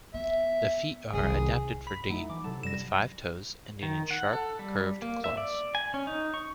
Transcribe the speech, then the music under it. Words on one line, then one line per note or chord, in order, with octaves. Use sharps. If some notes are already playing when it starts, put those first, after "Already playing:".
The feet are adapted for digging, with five toes ending in sharp, curved claws.
B3 E5
C2 D#3 G#4
B5 B6
F#3 A3 D#4 E4
E3 D6
C3 F#3 A4 A5
F#2 G3 A#6 E7
D#3
F#5
A4
G3
A#3
E5
D5
G#5
C#4
D#4
C#6